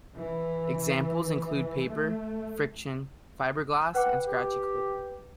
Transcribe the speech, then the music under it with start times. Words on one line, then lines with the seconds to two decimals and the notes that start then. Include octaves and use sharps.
Examples include paper friction, fiberglass, and scratchy clothing.
0.16 E3
1.87 A3
3.95 B4 F#5 G5 D6
4.28 G4